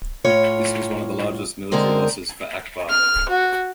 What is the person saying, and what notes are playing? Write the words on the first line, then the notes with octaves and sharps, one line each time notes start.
This was one of the largest military losses for Akbar.
A2 F4 C#5
D3 G#3 C4 A#4 C5
F6
F#4